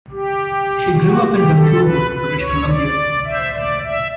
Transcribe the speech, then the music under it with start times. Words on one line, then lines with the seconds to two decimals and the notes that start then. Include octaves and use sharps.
She grew up in Vancouver, British Columbia.
0.11 G4
0.97 F#4
1.26 G4
1.54 A4
1.83 B4
2.11 B4
2.39 C#5
2.68 D5
3.25 E5
3.53 D5
3.82 E5